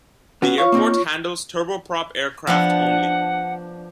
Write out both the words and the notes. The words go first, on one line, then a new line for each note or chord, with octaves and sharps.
The airport handles turboprop aircraft only.
B3 C#4 F#4
F4 C#5 F5 C#6
A#3 C4 D#4
F3 B3 D4 F#5